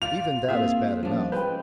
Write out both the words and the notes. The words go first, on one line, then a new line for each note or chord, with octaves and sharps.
Even that is bad enough.
F4 D5 F7
A#3 C4 F4 G#4 E5
F3 G3 A#3 C#4 D4
G#3 B4 G5 G6